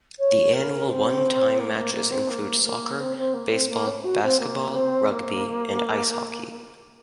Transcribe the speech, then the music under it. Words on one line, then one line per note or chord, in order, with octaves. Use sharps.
The annual one-time matches include soccer, baseball, basketball, rugby, and ice hockey.
C#5
A#4
C4
A#3
A#3
A#3
C4
A#3
A#3
C4
C4
A#3
C4
A#3
C#4
F#4
C4
A#3
C4
A#3